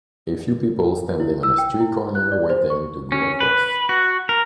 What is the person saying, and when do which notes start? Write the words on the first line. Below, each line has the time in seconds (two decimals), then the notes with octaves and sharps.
A few people standing on a street corner waiting to go across.
1.20 E4
1.43 E6
1.58 G5
1.80 E4
2.15 F#6
2.32 D5
2.50 C5
2.70 C#6
3.12 C#4
3.40 B4
3.89 F#4
4.29 A#4